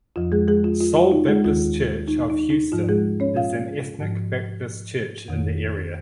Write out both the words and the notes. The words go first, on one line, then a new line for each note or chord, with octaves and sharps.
Seoul Baptist Church of Houston is an ethnic Baptist church in the area.
F2 F3 F4
G#3 G#4
G#3 G#4
F4
F4
F4
D#4
G#3 G#4
D#2 D#3 F4
D#4
D#4
D#4
G#2 F3 F4
G#3 G#4
C#4 C#5
F4 F5
G#2 F3
F2 D#3